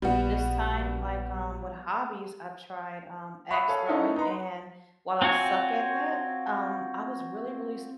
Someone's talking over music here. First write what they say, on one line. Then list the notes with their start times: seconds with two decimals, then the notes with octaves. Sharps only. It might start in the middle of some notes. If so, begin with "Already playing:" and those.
this time, like, um, with hobbies I've tried, um, ax throwing and while I suck at that, um, I was really, really s
0.02 A#1 G3 B3 F#4
3.51 E5 B5 C#6 D#6 F#6
3.68 A4 C#5 F5 G#5
3.87 C#4 D#4 E4 A4 A#4
4.16 D#4 B4 A#5 C6
5.22 C4 F4 F#4 C#5 G#5